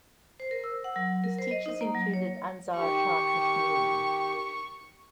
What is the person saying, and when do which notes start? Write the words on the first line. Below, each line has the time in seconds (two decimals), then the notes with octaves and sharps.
His teachers included Anzar Shah Kashmiri.
0.40 C5
0.51 A#4
0.64 E6
0.84 F#5
0.96 F#3
1.24 A#4
1.39 C5
1.51 D#5
1.66 D#4
1.81 A#3
1.94 F#3
2.14 C#5
2.76 D#3 G4 C#6